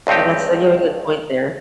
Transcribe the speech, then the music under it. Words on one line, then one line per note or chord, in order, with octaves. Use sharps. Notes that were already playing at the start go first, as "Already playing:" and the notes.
And that's you have a good point there.
C#2 G2 C4 D#4 G4